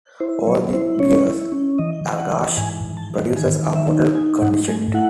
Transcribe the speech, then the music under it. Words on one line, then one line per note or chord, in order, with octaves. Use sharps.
All of the beers Allagash produces are bottle conditioned.
E4 C5
F#3 C#5
E4 C5
C#4 C#5
E4
C#4
E3 D#5
E3
F#5
E3
G#2 G#5
G#2
A5
E3
D#3 G#5
D#3
E5
D#4
D#4 G#5
G#2 F#5
A3 G#5
E4 F#5